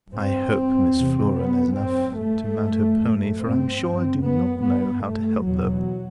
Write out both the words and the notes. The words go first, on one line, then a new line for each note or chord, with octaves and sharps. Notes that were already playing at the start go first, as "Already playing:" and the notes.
I hope Miss Flora knows enough to mount her pony, for I am sure I do not know how to help her.
G2 C4
G2
E2 C3
F#2 B3
F#2 C4
G2 A3
G2
F#2
G2 C4
G2
F#2 B3
G2 B3
G2 A3
E2 B2 F#3